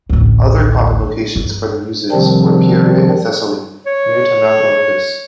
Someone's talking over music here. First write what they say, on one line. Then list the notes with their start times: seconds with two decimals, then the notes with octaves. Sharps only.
Other common locations for the Muses were Pieria in Thessaly, near to Mount Olympus.
0.09 A1 D2
1.36 G2 G3
2.12 C3 D#3 F3 G3 C4 D4
3.86 C#5